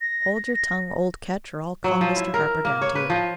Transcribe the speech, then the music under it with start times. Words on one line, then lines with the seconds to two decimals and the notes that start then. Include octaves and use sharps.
Hold your tongue, old Ketch, or I'll call Mr. Harper down to you.
0.01 A#6
1.84 F#3
2.01 F3
2.16 E4
2.34 A#4
2.65 A#3
2.82 C#5
2.95 B4
3.10 F3